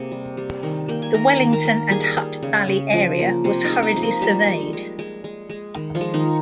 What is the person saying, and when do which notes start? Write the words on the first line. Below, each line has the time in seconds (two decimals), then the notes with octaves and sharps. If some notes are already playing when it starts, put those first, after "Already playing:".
The Wellington and Hutt Valley area was hurriedly surveyed.
Already playing: C3 A#3 G#4
0.11 G3
0.37 G3
0.63 D#3
0.88 A#3 G5
1.02 G#5
1.14 D#3 A#4 A#5
1.40 D#3
1.53 A#4 A#5
1.65 A#3
1.91 G3 G#4 G#5
2.17 G3
2.43 C#3
2.68 C#3
2.93 F3
3.19 A#3
3.44 C3 C4 C5
3.64 D#4 D#5
3.70 G#3
3.83 D#4 D#5
3.96 F3
4.02 A#3 A#4
4.21 G3 G#3 G4
4.48 G#3
4.73 G#3
4.99 G#3
5.24 G#3
5.50 G#3
5.75 D#3
5.95 F3 F4
6.01 G#3
6.14 D#3 D#4